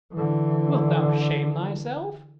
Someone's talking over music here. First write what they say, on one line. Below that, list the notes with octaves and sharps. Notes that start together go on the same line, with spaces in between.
Wilt thou shame thyself?
D3 E3